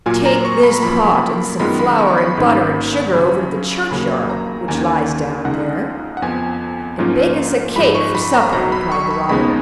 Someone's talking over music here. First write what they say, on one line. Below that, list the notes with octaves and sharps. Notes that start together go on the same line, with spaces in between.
'Take this pot and some flour and butter and sugar over to the churchyard which lies down there, and bake us a cake for supper,' replied the robber.
A#2 F#3 A#3 F4 G#5
A#5
C#6
B5
F#2 F3 A#3 B5
F#2 D#3 G#3 B3 F4 B5
B5
C#6
B5
G#1 G#2 D#3 A#3 C#4 B5
F#2 C#3 F#3 C#4 B5
D#2 C#3 F#3 A#3 C#4 B5
A#5
D#2 D#3 A#3 C#4 G#5
C#2 C#3 G#3 D#4 F#5
F#5
F2 F3 B3 G#5
G#2 F3 A#3 C#4 F4
G#2 F3 G#3 B5
C#6
B5
A#5
B1 B2 F#3 A#5
B5
C#6
B5
D#2 C#3 G#3 B3 D#4 B5